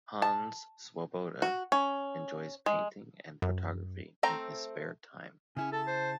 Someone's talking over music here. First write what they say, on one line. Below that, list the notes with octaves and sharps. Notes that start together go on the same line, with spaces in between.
Hannes Swoboda enjoys painting and photography in his spare time.
A5
F#4
C#4
G#3
F#2
A3 C4 G5 A#5
C#3 C#4 E4 G#4
A4 A5
C5